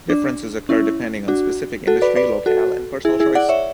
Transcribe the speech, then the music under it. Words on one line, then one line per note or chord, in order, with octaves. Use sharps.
Differences occur depending on specific industry, locale, and personal choice.
D4
C#4 E4
D4 F#4
F#4 A4
B4 D5
B4 D5
F#4 A4
E4 G#4
E4 G#4
D5 F#5
C#5 E5